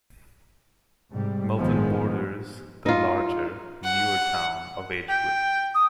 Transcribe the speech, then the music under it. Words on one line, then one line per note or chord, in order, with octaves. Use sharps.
Milton borders the larger, newer town of Edgewood.
G#2 C3 G3
A1 G2 D#3 F3 G#3 B3
D#4 F4
F#5
G5
D#6